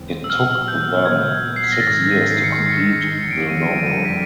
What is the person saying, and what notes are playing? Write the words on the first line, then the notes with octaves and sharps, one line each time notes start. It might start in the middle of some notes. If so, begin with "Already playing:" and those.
It took them six years to complete the novel.
Already playing: D#2 C#3 E3 G#3 C4
E6
A#2 F#3 B3 F6
G6
G#6
C7
B6
A#6
G#2 D#3 G#3 A6
A#6
C7
C#7
C7
C#7
F2 D3 G3 D7
D#7
D#7
D#7
B6